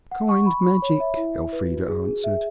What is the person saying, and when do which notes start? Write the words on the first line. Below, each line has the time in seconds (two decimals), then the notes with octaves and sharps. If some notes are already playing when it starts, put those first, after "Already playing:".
"Kind magic," Elfrida answered.
0.11 F#5
0.29 C#6
0.46 B5
0.65 B5
0.82 C#5
1.00 E5
1.17 E4
1.35 E4
1.53 B4
1.70 F#4
1.88 G#4
2.05 G#4
2.24 E5